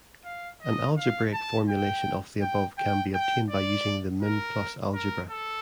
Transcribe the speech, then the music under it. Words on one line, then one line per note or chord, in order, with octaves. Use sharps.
An algebraic formulation of the above can be obtained by using the min-plus algebra.
F5
D#5
F5
A5
G5
G5
G5
G5
D5
A#4
A#4
A4